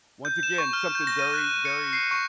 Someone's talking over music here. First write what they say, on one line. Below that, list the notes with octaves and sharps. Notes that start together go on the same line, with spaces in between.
once again, something very, very
G6
E7
C#6
F6
G6
A#6
D#7
F#6
C#7
C7
C#6